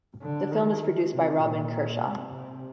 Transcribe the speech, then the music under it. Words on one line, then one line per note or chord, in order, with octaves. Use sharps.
The film is produced by Robyn Kershaw.
D3
D#3
C3
A#2
C3
C3